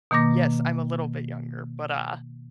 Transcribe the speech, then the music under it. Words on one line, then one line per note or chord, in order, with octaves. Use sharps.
Yes, I'm a little bit younger but, uh
B2 D#3 A#3 D6 A#6